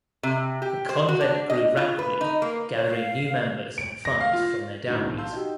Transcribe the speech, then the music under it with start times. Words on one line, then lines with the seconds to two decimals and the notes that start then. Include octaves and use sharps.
The convent grew rapidly gathering new members and funds from their dowries.
0.23 C3
0.62 G4
0.89 C5
1.08 F#4
1.21 D4
1.50 D#5
1.77 F4
1.99 B4
2.21 D#4
2.42 A#3
2.74 C#5
2.87 F5
3.78 D7
4.05 A#6
4.20 F5
4.33 F4
4.86 A2 D3 D#4 F#4
5.03 B1
5.18 F5 A5 C6 E6 G6
5.32 D#4 F#4 G4